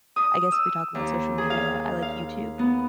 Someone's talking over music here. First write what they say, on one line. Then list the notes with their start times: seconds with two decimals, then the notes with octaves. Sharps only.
I guess if we talk about social media, I like YouTube
0.16 D#6
0.52 E6
0.95 D#2
1.38 G#4
1.50 F5
2.02 F5
2.59 B3